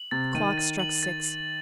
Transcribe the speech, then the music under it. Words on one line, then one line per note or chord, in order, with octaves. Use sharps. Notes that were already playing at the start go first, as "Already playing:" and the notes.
The clock struck six.
Already playing: F#7
C3 A6
D#3 D#7
A6
F#7
A6